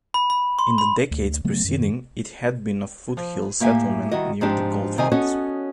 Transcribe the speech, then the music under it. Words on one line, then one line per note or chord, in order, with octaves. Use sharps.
In the decades preceding, it had been a foothills settlement near the gold fields.
B5
B5
C6
B5
D2
C#3 F#3 A3 B3
F#2 D#3
F3
A2 A#3 G4 E5 G#5
D#3 G3 E4 F#4 D#5
G#2 F3 C4 D4 G4
C3 D#3 C4 D#5 G#5
B3 C#4 F#4 A4 C#5 D#5